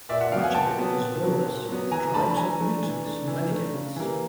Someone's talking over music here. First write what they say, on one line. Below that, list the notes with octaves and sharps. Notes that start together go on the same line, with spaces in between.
Much of it was lawless with tribes of mutants and renegades.
A#2 D5 E5
E5 F#5
F#3 B3 F5 G5
F#5 G#5
A#2 G5 A5
F#3 B3
A#2
F#3 B3
A#2
F#3 B3
E3 G#5 A#5
A3 D4 A5 B5
B5
E3 G#5 A#5
A3 D4
E3
A3 D4
E3
A3 D4
C#3
E3 G3 A#3